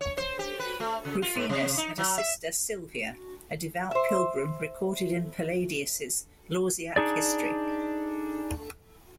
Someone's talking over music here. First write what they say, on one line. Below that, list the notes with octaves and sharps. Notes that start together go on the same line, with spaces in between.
Rufinus had a sister, Silvia, a devout pilgrim recorded in Palladius' "Lausiac History".
C#5
C5
G4
B4
A3
C#3
F4
G#2
C3
D#4
F#3
E5
C5 E5
D4 D#4 G#4 D5